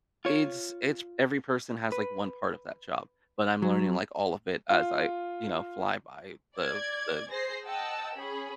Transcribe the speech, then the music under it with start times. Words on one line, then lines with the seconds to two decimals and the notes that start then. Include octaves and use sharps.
it's it's every person has, like, one part of that job, but I'm learning, like, all of it as I, you know, fly by the the
0.25 F4 C#5
1.92 B4
3.62 F#3
4.70 F4
6.56 D5 G#6
7.30 G#4 C5 A#6 C7
7.65 D#5 F#5 G5 A5 E6
8.17 C#4 G#4 B5